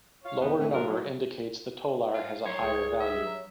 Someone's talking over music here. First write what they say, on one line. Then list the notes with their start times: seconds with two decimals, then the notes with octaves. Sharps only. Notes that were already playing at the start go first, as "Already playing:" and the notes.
Lower number indicates the tolar has a higher value.
0.24 C#5 F5
0.39 E2 A2 D#3 B3
0.58 A2 E3 A3 C4
0.73 F#3 D#4 F4 A4 A#4
0.86 F#3
2.14 F4
2.46 F#3 C#5 C6
2.61 C#2 G#4
3.00 E5
3.24 F#3